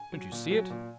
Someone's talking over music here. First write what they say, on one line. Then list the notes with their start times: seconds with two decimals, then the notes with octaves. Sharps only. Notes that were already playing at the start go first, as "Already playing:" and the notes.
Don't you see it?
Already playing: G#5
0.12 F#3
0.32 A#2
0.51 F#3
0.70 A#2